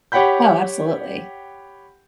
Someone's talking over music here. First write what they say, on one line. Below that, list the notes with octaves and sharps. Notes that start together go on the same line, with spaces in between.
Oh, absolutely,
G4 C#5 F#5 G5 B5 G6